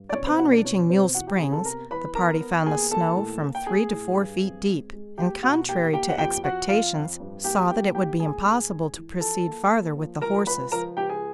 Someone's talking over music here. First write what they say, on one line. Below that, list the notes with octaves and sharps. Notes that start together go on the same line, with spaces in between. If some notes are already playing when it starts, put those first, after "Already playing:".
Upon reaching Mule Springs, the party found the snow from three to four feet deep, and, contrary to expectations, saw that it would be impossible to proceed farther with the horses.
Already playing: G2
D5
B2 C#4 C#5
C4 C5
B2 F#4 F#5
D4 D5
B2 C#4 C#5
B2 C4 C5
E3 F#4 F#5
G4 G5
C3 G#4 G#5
A4 A5
B3 A#4 A#5
E3 B4 B5
B3 A#4 A#5
B3
D#2 G#4 G#5
D#2 A4 A5
A2
A#3
G5
A#3 G#4 G#5
A2
G2
C4
G#3
G#3
A#3 G4 G5
B2 F#4 F#5
A#3 G4 G5
A#3 G4 G5
F#5
F2 G4 G5
F2 F#4 F#5
F2 F4 F5
F2
G2
A#3 G4 G5
A#3 G4 G5
A#3 G4 G5
G#2 G#4 G#5
G#2
G#2
E3
F3 A4 A5
A#3
A#3
F3
C#2 A#4 A#5
C#2 B4 B5
F3 A#4 A#5
C#2 G4 G5
G#4 G#5